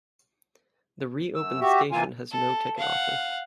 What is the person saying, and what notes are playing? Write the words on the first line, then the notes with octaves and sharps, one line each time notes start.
The reopened station has no ticket office.
F#2 E6
F#4 G4 E5
C3 E3 A#3 F4 G#5
A4
F5 F#5